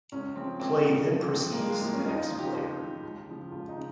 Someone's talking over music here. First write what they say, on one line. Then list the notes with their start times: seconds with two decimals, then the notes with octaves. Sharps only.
Play then proceeds to the next player.
0.12 C#2 C#4
0.36 C#3 F3 C4
0.60 C#2 C4
0.84 C#3 F3
1.09 G2
1.34 F3
1.52 A#3
1.57 G2 G#3
1.70 G#3
1.82 F3 A#3
1.94 C#4
2.06 D#2 D#4
2.16 D#4
2.23 F4
2.30 C#3 F3
2.39 G4
2.55 D#2
2.79 C#3 F3
3.03 C#2
3.27 C#3 F3
3.52 C#2 F4
3.68 D#4
3.76 C#3